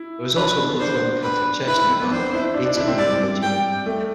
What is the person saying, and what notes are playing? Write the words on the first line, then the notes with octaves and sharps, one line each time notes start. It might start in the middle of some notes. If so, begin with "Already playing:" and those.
There is also a Dutch Roman Catholic church nearby - Beata Mundi Regina.
Already playing: E4
D4 B4
D4
B3
B3
D4 C5
B4
E4 B4
C4
B3
D4 C5
E4
D4
D4
E4
C4
G3 D5
G5
A3